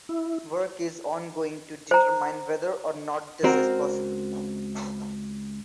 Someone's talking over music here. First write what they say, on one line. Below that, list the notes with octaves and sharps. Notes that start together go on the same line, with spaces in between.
Work is ongoing to determine whether or not this is possible.
E4
C5 A#5
C#2 C4 F#4 A#4